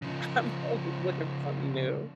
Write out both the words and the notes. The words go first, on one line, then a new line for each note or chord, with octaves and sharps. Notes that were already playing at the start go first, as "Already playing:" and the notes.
I'm always looking for something new.
C#3 F3